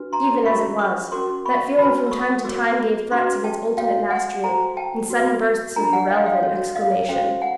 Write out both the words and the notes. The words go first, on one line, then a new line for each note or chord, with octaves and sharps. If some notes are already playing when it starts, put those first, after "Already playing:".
Even as it was, that feeling from time to time gave threats of its ultimate mastery, in sudden bursts of irrelevant exclamation.
Already playing: D4 F#4 B4
A#5 C6
C#4 F#4 A#4 C#5 B5 C#6
C#6 D#6
C#4 F#4 A#4 C6 D6
B5 C#6
F#4 B4 A5 B5
E6
C#6 D#6
F#4 A#4 C#5 D6 E6
C#4 F#4 B4 C6 D6
G5 A5
F#4 A4 C#5 F5 G5
F#5 G#5
F#4 A4 C5 G#5 A#5
G5 A5
F#4 B4
D4 F4 A#4 G#5 A#5
F#5 G#5
F5 G5
F5 G5
F#4 A4 C#5
D#5 F5
C#4 F#4 A4 C5 F5 G5
F#5 G#5